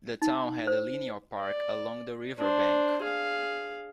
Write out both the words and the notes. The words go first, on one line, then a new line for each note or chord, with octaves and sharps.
The town had a linear park along the riverbank.
D#4
C5
D5
D4 C5
G#4 F5